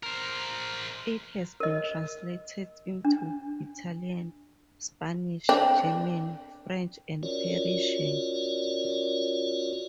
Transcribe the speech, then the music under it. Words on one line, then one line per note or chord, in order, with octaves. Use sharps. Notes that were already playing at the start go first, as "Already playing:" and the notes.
It has been translated into Italian, Spanish, German, French, and Persian.
A#4 C5
A#4 D#5
D4
C4 D4
C#4 F4 F#4 A#4 C#5 D5